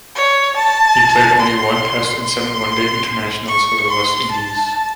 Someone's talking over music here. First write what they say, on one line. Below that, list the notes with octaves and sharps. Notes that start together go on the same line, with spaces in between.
He played only one Test and seven One Day Internationals for the West Indies.
C#5
A5
C6
C6
C#6
C6
A5